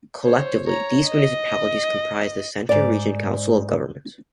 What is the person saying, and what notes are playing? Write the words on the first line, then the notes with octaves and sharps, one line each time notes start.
Collectively, these municipalities comprise the Centre Region Council of Governments.
C5 C#5
C#5 A#5
D#5
G#2 D5